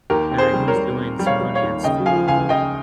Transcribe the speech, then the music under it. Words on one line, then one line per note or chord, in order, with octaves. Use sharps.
Uh, he was doing some running at school,
D#2 G4 A#4
C4
G#4 C5
G3
A#4 C#5
G3
C4
G3
C#5 F5
G3
C#5 F5
D#2
C#3 D#5 G5
F3 F5 G#5
C#2 F5 G#5
C#3 D#5 G5